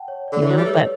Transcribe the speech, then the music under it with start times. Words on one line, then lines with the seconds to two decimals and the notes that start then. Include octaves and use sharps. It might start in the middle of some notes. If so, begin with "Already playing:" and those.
You know, but
Already playing: F#5 G5 A5
0.08 C#5
0.28 D3 D5
0.41 E3 C#5
0.49 F#3
0.55 G3 B4
0.66 A3
0.69 C#5